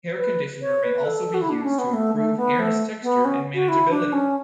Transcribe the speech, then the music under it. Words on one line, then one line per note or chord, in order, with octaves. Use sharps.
Hair conditioner may also be used to improve hair's texture and manageability.
B4
C#5
B4
A4
F#4
E4
D4
C#4
B3
A3
A3
B3
A3
B3
C#4
F#4
E4
D4
C#4